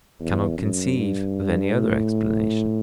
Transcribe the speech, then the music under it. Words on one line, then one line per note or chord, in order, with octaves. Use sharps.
I cannot conceive of any other explanation.
E2
F#2
G2
A2